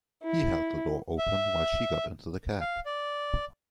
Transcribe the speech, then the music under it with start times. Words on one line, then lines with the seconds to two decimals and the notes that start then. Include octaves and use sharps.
He held the door open while she got into the cab.
0.22 E4
1.18 E5
2.61 F5
2.86 D5